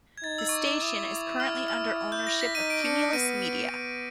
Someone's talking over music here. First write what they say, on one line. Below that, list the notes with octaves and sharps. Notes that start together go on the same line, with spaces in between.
This station is currently under ownership of Cumulus Media.
G#6
D#4 A6
E6
C#6
D6
D6
E4 D#6
F6
F6
G6
A#6
B6
D#4 D#7
D7
D4 C#7
D7
B3 D#7
B3